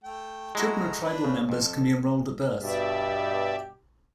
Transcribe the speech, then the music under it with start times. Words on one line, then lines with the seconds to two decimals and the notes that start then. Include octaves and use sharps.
Children of tribal members can be enrolled at birth.
0.04 A3 G5
0.55 G#3 A3 E4 F#4 A#5
1.04 D4 B4
1.25 C#3
1.49 F2 A4
2.62 G2 B2 G4 D5 E5